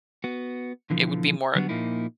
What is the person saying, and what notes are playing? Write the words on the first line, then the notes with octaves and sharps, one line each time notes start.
It would be more
B3 F#4
B2 D3 E3 F3
D3 F#3 G3 B3 D4 F#4
A#2 F3 A#3 D#4 E4